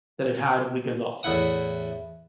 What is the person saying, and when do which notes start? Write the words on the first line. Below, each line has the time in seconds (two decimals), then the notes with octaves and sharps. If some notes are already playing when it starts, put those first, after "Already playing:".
that I've had a weekend off.
1.23 E2 A2 E4 F#5 D#6